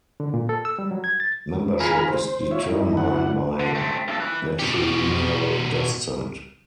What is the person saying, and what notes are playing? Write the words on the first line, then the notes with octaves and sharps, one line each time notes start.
Membership is determined by matrilineal descent.
D3
A#2
A4
E6
G3
F#3
G#6
A6
F4 G#4 G#5 A#5 B5 F6
C5
F4 C#5 E5
G2 D#4 E4
F#2 D4 E4 F#5
D3
A3 C4
G2 A4
E4 B4
B2 G4